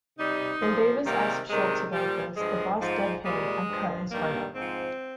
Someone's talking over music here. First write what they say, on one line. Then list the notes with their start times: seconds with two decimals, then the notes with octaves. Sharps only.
When Davis asked Schultz about this, the boss dead-panned, I cut his heart out.
0.18 C3 G3 D#4
0.62 A#2 F3
1.05 C3 D#3 G3 A#3
1.49 C3 D#3 G3 G#3
1.93 A#2 F3 G3
2.36 G2 F3 G#3
2.80 G#2 F3
3.24 A#2 G3 G#3
3.68 G2 F3
4.11 G2 D#3 G3 A#3
4.54 G#2 F3 C4